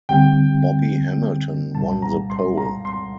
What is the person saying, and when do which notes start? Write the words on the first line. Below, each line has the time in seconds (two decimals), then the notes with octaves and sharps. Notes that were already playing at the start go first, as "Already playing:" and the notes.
Bobby Hamilton won the pole.
0.09 D2 D3 G3 C4 G4 G5
1.75 C2 A#2 G3 A5
2.02 A#5
2.30 C6
2.57 A#5
2.85 C6